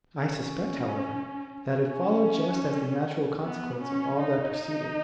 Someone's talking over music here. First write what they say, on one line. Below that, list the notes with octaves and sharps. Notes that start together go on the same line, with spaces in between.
I suspect, however, that it followed just as the natural consequence of all that preceded.
C#4
C#4
B3
C#4
D#4